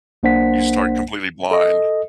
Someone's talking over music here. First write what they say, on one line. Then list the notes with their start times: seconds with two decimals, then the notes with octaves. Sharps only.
you start completely blind
0.23 B1 A#3 D4 C5 F#5 B6
1.51 A4 D#5